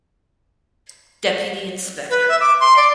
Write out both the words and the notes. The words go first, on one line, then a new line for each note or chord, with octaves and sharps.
Deputy Inspector.
B4
E5
D6
C6
D5